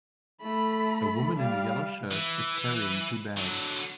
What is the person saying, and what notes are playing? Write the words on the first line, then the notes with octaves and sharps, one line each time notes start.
A woman in a yellow shirt is carrying two bags.
A3 B5
G3 F5
E3
D3 F#3